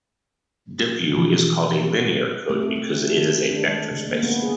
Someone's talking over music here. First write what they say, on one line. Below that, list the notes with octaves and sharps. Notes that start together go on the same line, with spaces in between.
"W" is called a linear code because it is a vector space.
B2 E3 F3
A3
C4
A3
D4
D#3
D4
G#3
C#3
A#3
B3
G#4